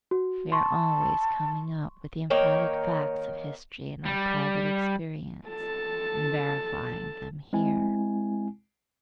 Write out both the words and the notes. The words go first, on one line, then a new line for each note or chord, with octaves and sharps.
We are always coming up with the emphatic facts of history in our private experience and verifying them here.
F#4
A5 C6 C#6
D#3 A#3 C#5 G5
G3
A4 A5
G#3 C4 E4 G#5